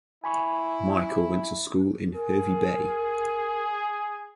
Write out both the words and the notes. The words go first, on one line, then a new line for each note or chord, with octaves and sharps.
Michael went to school in Hervey Bay.
E4 G#5 B5 C#6
G#4 A#4